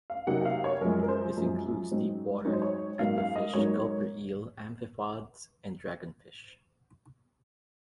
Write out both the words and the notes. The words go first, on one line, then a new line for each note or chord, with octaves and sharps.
This includes deep-water anglerfish, gulper eel, amphipods and dragonfish.
F5
C3 F#3 A#3 D#4 F#5
F#5
F5
C#5
F#2 F3 G#3 A#4
A#4
C5
F#2 F3 G#3
G#2 F#3 C4 D#4
G#2 F#3 C4 D#4 C#5
C5
C#5
G#2 F#3 A#3 D#4 F5
F5
D#5
G#2 F#3 A#3 D#4 C#5